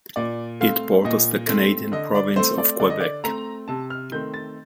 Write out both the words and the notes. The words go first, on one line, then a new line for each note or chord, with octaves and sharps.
It borders the Canadian province of Quebec.
A#2 D5
A3 C4 F5
A#2 D#5
A3 C4
D3 D#5
D5
A3 C4 C5
D5
D3 D5
D#5
D5
A3 C4 A#5
C3 A5
F6
D#3 A3 C4 G6
A6